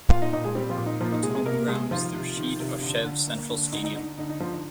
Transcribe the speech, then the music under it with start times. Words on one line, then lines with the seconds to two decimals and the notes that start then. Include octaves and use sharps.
Its home ground is the Rashid Aushev Central Stadium.
0.09 A#2 F4 F5
0.22 D#4 D#5
0.33 A#2 D#4 D#5
0.44 G#3 G#4
0.55 G3 C4 G4
0.70 F3 F4
0.77 A#2
0.86 D#4
1.01 F3 A#3 F4
1.12 D#4
1.23 C3 G#3 G#4
1.35 G#3 G#4
1.46 C3 A#3 A#4
1.68 C3 G#3 G#4
1.91 D#3 F3 F4
2.14 C3
2.37 D#3
2.60 C3
2.82 D3
3.04 D3
3.27 A#3
3.50 D3
3.72 D3 D#4
3.84 D#4
3.95 D3 D#4
4.18 D3 D#4
4.29 D#4
4.40 D3 F3 F4
4.51 D#4